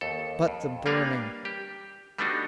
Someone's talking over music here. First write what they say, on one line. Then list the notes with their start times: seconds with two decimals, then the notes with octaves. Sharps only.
But the burning!
0.01 D#2 A4
0.47 F2
0.86 G3 A#3 D4 B4 C#5 F5
1.45 G4
2.18 G3 A3 B3 D4 D#4 F#4